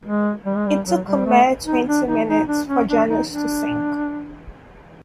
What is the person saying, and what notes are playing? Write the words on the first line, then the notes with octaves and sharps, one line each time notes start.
It took a mere twenty minutes for "Janus" to sink.
G#3
G3
G#3
G3
F#3
G3
A3
D#4
D4
D#4
D#4
D4
C#4
D4
D#4
D4